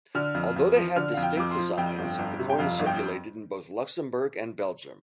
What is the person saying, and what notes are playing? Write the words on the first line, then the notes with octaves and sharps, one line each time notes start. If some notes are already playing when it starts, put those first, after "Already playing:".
Although they had distinct designs, the coins circulated in both Luxembourg and Belgium.
D3 F6
F2
F2
F3
D3 F6
F2 F5
G5
F2 D6
C6
F3
F2 G5
G1
G1
C3
G5
F2 F5
G1
G5